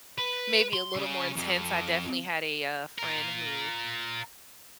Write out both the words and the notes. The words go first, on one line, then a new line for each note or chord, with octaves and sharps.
maybe a little more intense, I definitely had a, uh, friend who
B4
C6
C#3
F2
F4 A#4